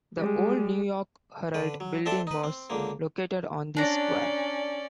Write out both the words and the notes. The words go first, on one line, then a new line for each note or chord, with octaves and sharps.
The old New York Herald Building was located on the square.
G3 G#3
D3 B4
F#3
C4 D4 A4 E5 G5 A5
D#4 B4
C4
C#2 D3 A#3
C#4 D4 D5 A#5